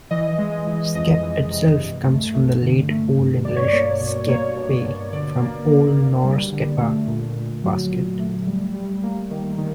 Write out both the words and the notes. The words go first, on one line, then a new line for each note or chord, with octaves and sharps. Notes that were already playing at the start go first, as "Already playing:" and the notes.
'Skep' itself comes from the Late Old English "sceppe", from Old Norse skeppa 'basket'.
E3 D#5
G#3
E3
F2 D#5
E3
C3
G2
A3
A3
D3
A3
G2
B2 D5
C#5
D5
A#3
B2
A#3 C#5
B2
B2
D3 D5
A#3
A#3
A#3
G3
D3
A3
A#2
A#2
F#3
A#2
A3
G3
G3
A#3
D#3
D#3